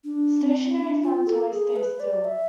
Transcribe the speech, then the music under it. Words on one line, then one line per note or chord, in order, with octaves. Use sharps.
Stationary fronts always stay still.
D4
C4
D4
F4
A4
G#4
B4
D5
E5